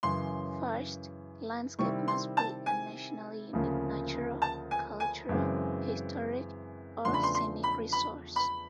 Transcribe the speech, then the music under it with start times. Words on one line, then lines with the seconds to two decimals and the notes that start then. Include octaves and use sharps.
First, the landscape must be a nationally unique natural, cultural, historic, or scenic resource.
0.03 F#2 C#3 E3 C6
1.79 C3 D#3 G3 C4 E4 C#6
2.08 C6
2.37 A5
2.66 G#5
3.53 D2 C#3 F3 A#3 C#4
4.42 A5
4.71 G#5
5.00 G#5
5.29 F#2 C#3 E3 G#3 C4
7.05 E2 C#3 F3 A3 D4 C6
7.14 B5
7.23 C6
7.35 C6
7.63 B5
7.92 B5
8.36 B5